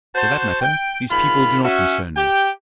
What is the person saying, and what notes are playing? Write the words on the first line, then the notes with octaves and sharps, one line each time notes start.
For that matter, these people do not concern me.
F#4 C5 A5
G5
G#2 D#3 F4 B5
C#4 F#4 E5
G4 G5